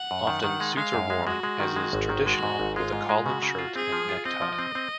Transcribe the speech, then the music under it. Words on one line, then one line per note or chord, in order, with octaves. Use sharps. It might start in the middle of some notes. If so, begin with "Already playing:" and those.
Often, suits are worn, as is traditional, with a collared shirt and necktie.
Already playing: F#5
F#2
D#3
D#3
G#3
G#3 F5
F#2
G#3
G#3 F#4
G#3
D#3
G#3
G#1
D#3
G#3 F#4
G#2
G#1
G#3 F4
G#2
G#3
C#3 F#4
C#3
F4
C4 G#4
F3
F4
C4 D#5
F3
C4
C4